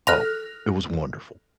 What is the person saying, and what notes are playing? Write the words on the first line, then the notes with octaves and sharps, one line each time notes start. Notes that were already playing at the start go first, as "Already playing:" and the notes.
Oh, it was wonderful,
A4 F6 F#6 A#6 F7